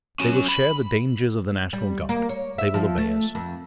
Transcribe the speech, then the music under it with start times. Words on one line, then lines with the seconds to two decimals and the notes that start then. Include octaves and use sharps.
They will share the dangers of the National Guard. They will obey us.
0.20 C#4 F#4
0.48 B5
1.73 G3
2.09 A#3
2.29 C#5
2.58 E5
2.74 F3
2.97 A3
3.35 F2